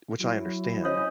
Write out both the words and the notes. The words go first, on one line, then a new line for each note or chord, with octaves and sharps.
which I understand.
F#3 E4
C#4 C5 C#5 D#5 F5